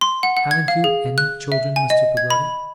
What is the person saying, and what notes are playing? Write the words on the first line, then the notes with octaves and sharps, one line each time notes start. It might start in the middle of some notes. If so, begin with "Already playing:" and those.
'Haven't you ANY children, Mr. Peggotty?'
C6
F#5
F#5
G#6
F5
G#4
F#6
E5
G#5
D#5
G#6
B5